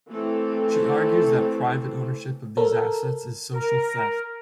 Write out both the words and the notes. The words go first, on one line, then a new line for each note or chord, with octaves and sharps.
She argues that private ownership of these assets is social theft.
E3 A3 C4 A4
A4 A#4
A#4